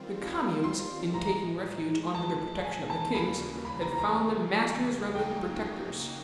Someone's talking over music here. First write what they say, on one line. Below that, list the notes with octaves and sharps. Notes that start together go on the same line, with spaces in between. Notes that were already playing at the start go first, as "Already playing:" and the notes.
The communes, in taking refuge under the protection of the kings, had found them masters rather than protectors.
Already playing: D#3 G3 C4 F4
C6
A2 E3 G#3 A#5
A5
G#5
A5
D#2 C#3 E3 G3 A#3 B5
B5
A#5
A#5
F2 C#3 F#3 A#3 D#4 G5